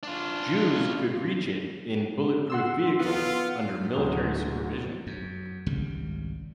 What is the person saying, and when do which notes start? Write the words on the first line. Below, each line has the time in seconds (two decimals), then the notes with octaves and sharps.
Jews could reach it in bulletproof vehicles under military supervision.
0.03 D4 F4
2.50 F#5 C6 E6
3.00 B3 F4
3.93 D1 D2 F#3 D#6 F7 G7
5.07 F#2
5.66 G#1 C#2 C#3 G3